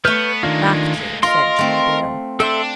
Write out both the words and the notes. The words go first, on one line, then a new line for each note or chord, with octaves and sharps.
"Exactly," said Jimmie Dale.
A3 B3 B4 C#5 F6 G6
D#3 G#3 A#3 D4 F4
F4 A#4 D#5 C6
A3 C4
D4 A4 E5 G5 C6